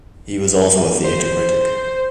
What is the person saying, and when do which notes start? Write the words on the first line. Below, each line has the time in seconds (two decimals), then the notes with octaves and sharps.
He was also a theatre critic.
1.04 C5